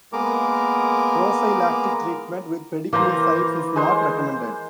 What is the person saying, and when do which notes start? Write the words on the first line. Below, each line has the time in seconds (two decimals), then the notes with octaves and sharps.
Prophylactic treatment with pediculicides is not recommended.
0.13 G#3 A#3 B3 A#4 D6
2.93 E3 A#3 C5 A#5
3.76 G#3 C5